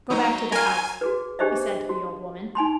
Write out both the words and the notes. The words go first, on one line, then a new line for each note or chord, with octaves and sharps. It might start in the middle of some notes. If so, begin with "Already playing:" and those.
"Go back to the house," he said to the old woman.
F#3 D#4
A#4 F5 G#5
F#4 G#4 B4
D4 G4 G#4 C5 D#5 E5
F#4
D#4 G#5 B5 C6